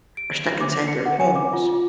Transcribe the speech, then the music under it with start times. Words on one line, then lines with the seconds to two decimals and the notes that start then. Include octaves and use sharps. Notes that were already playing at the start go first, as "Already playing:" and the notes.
are stuck inside their homes.
0.17 D7
0.47 A#6
0.61 D6
0.87 C#7
1.06 F#5
1.20 G#5
1.35 D6
1.53 F4
1.74 F4